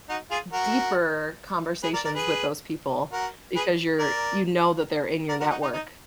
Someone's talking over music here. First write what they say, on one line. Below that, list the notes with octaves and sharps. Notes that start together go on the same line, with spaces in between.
deeper conversations with those people, because you're you know that they're in your network.
D#4 F#4
F4 G#4
F#4 A#4
G#4 B4
A#4 D5
A#4 D5
G#4 B4
F#4 A#4
G#4 B4
A#4 D5
A#4 D5
F#4 A#4
D#4 F#4
D#4
D#4